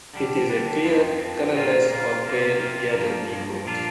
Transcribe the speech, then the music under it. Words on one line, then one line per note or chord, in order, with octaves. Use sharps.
It is a clear, colourless or pale yellow liquid.
D3 G3 D4
D3 G3 D4
F2 F3 C4
F2 F3 C4
A#2 A#3 F4
A#2 A#3 F4
C3 A#3 F4
C3 A#3 F4
G2 F3 A#3
G2 F3 A#3
A#2 F3 D4 F4